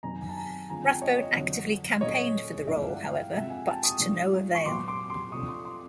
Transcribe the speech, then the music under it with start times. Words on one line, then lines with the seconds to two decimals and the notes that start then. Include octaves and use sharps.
Rathbone actively campaigned for the role, however, but to no avail.
0.03 F#2 D#3 F#3 B3 G#5 A#5
0.21 G#5
0.29 A5
0.36 G#5 A#5
0.69 D3 F3 G#3 C4 G#5 A#5
0.86 G5 A5
1.02 C#5 D#5
1.18 C#5 D#5
1.35 F2 D3 F#3
2.01 A#2 F#3 A3 C#4 C#5 D#5
2.67 G2 E3 G#3 B3 D4 D5 E5
2.82 F5
2.89 E5 F#5
3.11 F5 G5
3.33 C3 F3 G#3 C4 E5 F#5
3.50 F#5 G#5
3.66 G5 A5
3.83 C#6 D#6
3.99 G#2 F3 G#3 B3 D4
4.55 C#6
4.66 A#2 F#3 B3 C6 D6
4.88 C6 D6
5.10 C6 D6
5.32 C3 F3 A3 D4 C#6 D#6
5.48 C6 D6
5.65 C6 D6